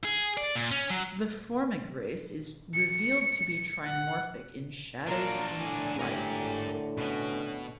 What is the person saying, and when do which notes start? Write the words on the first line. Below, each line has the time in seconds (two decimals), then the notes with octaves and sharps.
The Formic race is revealed to be trimorphic in "Shadows in Flight".
0.04 G#4
0.37 D5
0.56 A#2
0.71 C#4
0.90 F#3
2.74 C#7
3.86 F#5
5.07 F#3 A#3 D4 F4 A#4 A#5
5.60 A2 D3 G#5
5.99 G4 A#4 G#5
6.97 B2 B3 C#4